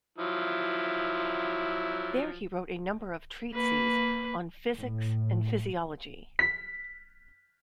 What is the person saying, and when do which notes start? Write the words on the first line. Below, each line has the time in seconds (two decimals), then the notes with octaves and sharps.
There he wrote a number of treatises on physics and physiology.
0.18 F3 F#3 E4
3.52 A#3 B4
4.78 A2
6.39 B6